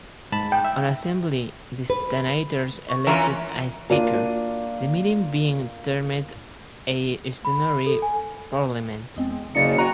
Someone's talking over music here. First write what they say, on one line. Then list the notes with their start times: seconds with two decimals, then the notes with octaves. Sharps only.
On assembly the stannators elected a speaker, the meeting being termed a Stannary Parliament.
0.32 G#2 A5 B5
0.52 G5
0.64 E5
1.90 B4
2.89 C#6
3.06 E3 C#4 F4 A#4 E5 G#5 A#5
3.90 A#3 D4 F4 D#7
7.45 B5
7.87 A4
8.02 G#5
9.16 E2 G#3 C4
9.55 F#1 C#3 F#3 D5 D#5 C#7
9.78 F#4 G5 G#5 A#5 F#6